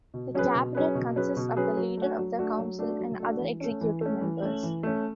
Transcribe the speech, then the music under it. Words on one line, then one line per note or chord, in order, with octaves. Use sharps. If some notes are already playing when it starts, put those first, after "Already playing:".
The Cabinet consists of the Leader of the Council and other Executive Members.
B2
F#3 C#4 G#4 B4
B2
F#3 C#4 G#4 B4
B2
F#3 C#4 G#4 B4
B2
F#3 C#4 G#4 B4
F#3
A3 D4 F#4
F#3
A3 D4 F#4
F#3
A3 D4 F#4
F#3
A3 D4 F#4
E3
A3 C#4
E3
A3 C#4
E3
A3 C#4
E3
A3 C#4